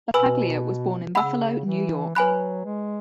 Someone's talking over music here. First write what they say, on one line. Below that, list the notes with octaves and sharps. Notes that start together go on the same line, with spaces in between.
Battaglia was born in Buffalo, New York.
B2 B4 G#5 B5 E6
C#3 F#5 B5 E6
E3
F#3 B4 G#5 B5 F#6
G#3